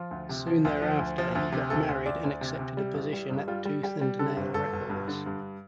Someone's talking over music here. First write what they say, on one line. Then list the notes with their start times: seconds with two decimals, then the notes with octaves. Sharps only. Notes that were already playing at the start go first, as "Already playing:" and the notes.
Soon thereafter he got married and accepted a position at Tooth and Nail Records.
Already playing: F3 F4
0.11 D2
0.29 C3
0.47 F3
0.65 D2
0.82 F3
0.99 D2
1.18 F3
1.35 D2
1.52 C3
1.70 D2 A4
1.89 D2
2.06 D2 D5
2.24 D2
2.41 C3
2.59 C3
2.77 G3
2.94 A1
3.13 G3
3.30 G2
3.48 G3 F4
3.65 G3
3.83 G3 G4
4.01 G3
4.19 D3 A4
4.36 G1
4.54 G1 A4
4.73 G1
4.90 G2
5.08 D3
5.26 G2